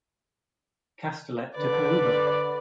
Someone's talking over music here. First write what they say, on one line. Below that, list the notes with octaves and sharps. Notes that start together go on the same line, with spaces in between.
Castellet took over.
D3 B4 D5